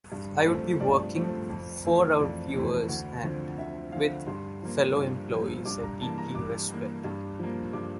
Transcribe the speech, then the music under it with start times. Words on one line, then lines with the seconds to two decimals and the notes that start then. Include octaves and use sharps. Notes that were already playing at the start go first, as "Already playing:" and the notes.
I would be working "for our viewers", and "with" fellow employees I deeply respect.
0.12 G2
0.46 F3 A3 C4
0.80 G2 D5
1.15 F3 A3 C4
1.49 F2
1.85 E3 A3 C4
2.19 F2 D5
2.53 E3 A3 C4
2.88 D2
3.23 D3 F3 C4
3.57 D2 E5
3.92 D3 F3 C4 F5
4.27 G2 C6
4.62 F3 A#3
4.97 G2
5.31 F3 A#3
5.65 G2 D6
5.83 A#5
6.00 E3 A#3 A5
6.18 A#5
6.35 G2 D6
6.70 E3 A#3
7.04 G2
7.39 F3 A#3
7.73 G2 D6